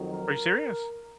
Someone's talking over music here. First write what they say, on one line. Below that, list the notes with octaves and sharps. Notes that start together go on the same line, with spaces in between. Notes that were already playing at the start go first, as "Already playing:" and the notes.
Are you serious?
Already playing: F2 D#3 F#3
A#4